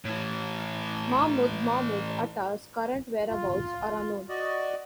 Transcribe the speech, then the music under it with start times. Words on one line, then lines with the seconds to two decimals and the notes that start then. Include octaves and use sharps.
Mahmoud Mahmoud Atta's current whereabouts are unknown.
0.05 A2 E3
3.28 F4
4.29 F#4 D5 D#5